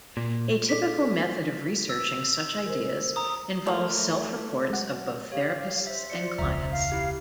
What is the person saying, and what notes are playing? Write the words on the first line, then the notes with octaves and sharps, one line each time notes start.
A typical method of researching such ideas involves self-reports of both therapists and clients.
A#2
G#4 A4 D6 B6
F#4
E6
A#4 C5
A#5 D#6
F3 A3 A#3 E4
F#3 G#3 F#5
G4 C#5 F5
C5 E5
F4 D5 C#7
E1 C#2 E5 A#5
F5
E4 G4